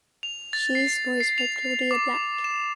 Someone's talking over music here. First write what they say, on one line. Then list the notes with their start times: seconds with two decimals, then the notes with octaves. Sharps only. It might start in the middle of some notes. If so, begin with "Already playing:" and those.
She is voiced by Claudia Black.
0.23 F7
0.53 A6
0.75 C7
1.20 C7
1.38 F7
1.91 D6
2.44 E7